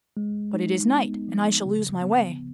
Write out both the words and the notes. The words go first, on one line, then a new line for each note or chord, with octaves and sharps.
"But it is night, and I shall lose my way."
G#3
D#4
B3
F3
C#3
B3